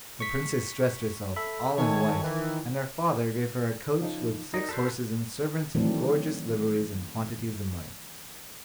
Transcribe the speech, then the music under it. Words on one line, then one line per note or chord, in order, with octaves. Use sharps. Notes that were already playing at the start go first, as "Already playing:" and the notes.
The Princess dressed herself all in white, and her father gave her a coach with six horses and servants in gorgeous liveries and quantities of money.
C#6 B6
A4 E5 B5
D#3 C#5 G#5 A5
E3
C#3 F3 D#4
D#4 F#4 A#4 D5
A4 B4 C5
D#3 E3 F#3 A3 C4 D4